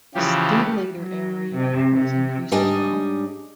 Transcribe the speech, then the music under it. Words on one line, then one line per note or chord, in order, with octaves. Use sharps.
The stabilator area was increased as well.
C#3 E3 F3 G4
F#3
C3
C3
G#2 G3 D4 C#5 D#5 G#5